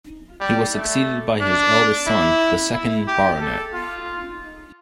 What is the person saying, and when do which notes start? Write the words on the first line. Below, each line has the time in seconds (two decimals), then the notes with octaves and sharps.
He was succeeded by his eldest son, the second Baronet.
0.41 G3
0.74 A3
1.41 D4
2.07 E4
2.74 E4
3.07 G4
3.40 A4
3.74 F4